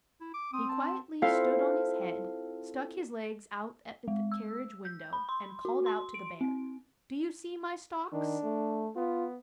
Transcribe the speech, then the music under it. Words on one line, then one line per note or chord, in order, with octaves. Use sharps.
He quietly stood on his head, stuck his legs out at the carriage window and called out to the bear, 'Do you see my stocks?
E4
D6
C4 D#6
A5
C4 E4 F4 A4 F5
G#3
E6
G6
B5
C6
F#4
C6
D7
C4
D#3 D4
A3
B3 F4